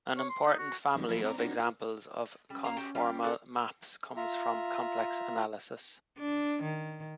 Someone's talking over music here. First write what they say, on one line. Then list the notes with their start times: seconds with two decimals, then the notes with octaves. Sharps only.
An important family of examples of conformal maps comes from complex analysis.
0.17 C#5
0.30 C6
0.45 D#4
0.59 F#4
0.95 F#2 D3 D#3 G3 G#3
1.08 F3 F#3 A3 A#3 E4 F4
1.24 C4 D5 A#5
1.38 C4 D4 D#4 F#4 A#4 C#5
1.59 F4
2.50 G3 C#4
2.64 A#3 F5 A#5
2.77 F#4 G4
2.95 G3 F4 G4
3.23 F#4 A4 G5
4.16 F4 E5 A#5
6.18 D4
6.63 D#3